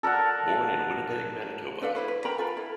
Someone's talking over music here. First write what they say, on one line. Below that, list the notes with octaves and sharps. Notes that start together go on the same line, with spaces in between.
Born in Winnipeg, Manitoba.
A4 A#4 D5 F#5
D4 A4 B4 F5
E4 B4 C5
B4
A#4 G5 A#5 B5
F4 A4 B4 B5
E4